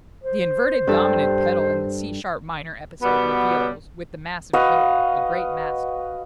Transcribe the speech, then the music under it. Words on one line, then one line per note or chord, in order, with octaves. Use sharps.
The inverted dominant pedal in the C sharp minor episode reveals, with the massive coda, a great master.
C5
G2 A4
B2 G3 B3
F#4 B4 D#5 F5